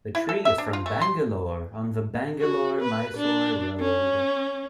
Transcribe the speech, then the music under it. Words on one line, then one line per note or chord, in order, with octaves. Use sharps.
The tree is from Bangalore, on the Bangalore - Mysore Road.
E4
A4
E5
D4
F4
A3
C6
F#4
B4
D4
C#4